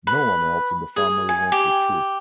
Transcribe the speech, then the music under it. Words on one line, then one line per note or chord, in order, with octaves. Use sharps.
No one else in the family wants the truth.
B4
G#4
G#5
G4